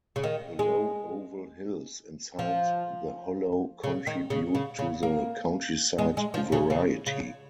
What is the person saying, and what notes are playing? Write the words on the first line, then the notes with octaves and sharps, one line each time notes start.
The low oval hills inside the hollow contribute to the countryside variety.
C#3
D#3
G#3
F3
C#3
D#3
C#3
C#3
C#3
A#3
G#3
G#3
F3
C#3
C#3
C#3